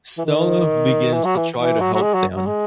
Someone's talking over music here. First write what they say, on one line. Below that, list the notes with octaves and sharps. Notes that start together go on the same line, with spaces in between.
Stella begins to try to help Dan.
E3
D#3
E3
F#3
E3
E3
F#3
F#3
G#3
F#3
F#3
G#3